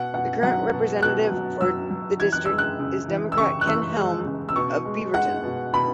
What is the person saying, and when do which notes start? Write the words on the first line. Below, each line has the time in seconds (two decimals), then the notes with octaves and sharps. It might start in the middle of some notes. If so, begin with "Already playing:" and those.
The current representative for the district is Democrat Ken Helm of Beaverton.
Already playing: B2 F#5
0.14 B2 F#5
0.43 F#3 F#5
0.73 B2
1.02 B2 F#6
1.31 F#3
1.61 F#3 E6
1.90 F#3
2.20 E3 G#6
2.32 F#6
2.45 G#3 E6
2.58 F#6
2.79 C#3
3.08 E3
3.32 E6
3.37 C#3 C#6
3.61 F#6
3.67 E3 E6
3.96 G#3
4.25 C#3
4.49 E6
4.55 B2 C#6
4.85 G#3
5.14 G#3 F#5
5.43 B2
5.73 B2 B5